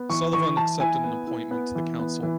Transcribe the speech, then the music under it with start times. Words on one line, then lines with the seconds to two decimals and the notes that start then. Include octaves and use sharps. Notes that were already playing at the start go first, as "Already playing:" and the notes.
Sullivan accepted an appointment to the council.
Already playing: B3
0.10 E3 C#6
0.33 E3 C#6
0.57 E3 A5
0.80 E4 G#5
1.04 B3
1.27 E4
1.51 B3
1.75 E3
1.99 B3
2.23 E3